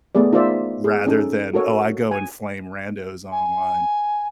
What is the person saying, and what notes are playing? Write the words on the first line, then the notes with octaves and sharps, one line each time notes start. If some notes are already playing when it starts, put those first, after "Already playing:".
rather than, "Oh, I go and flame randos online."
A3 B3 G#4 D5
D#4 F4 A#4 C5 D5 E5
G#4
C#4 D#4 A4
F#4 A4 A#4 C#5
G#5
G#5